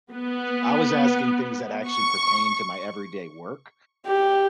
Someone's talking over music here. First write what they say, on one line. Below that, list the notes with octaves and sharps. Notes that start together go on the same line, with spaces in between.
I was asking things that actually pertain to my everyday work,
B3
C#6
G4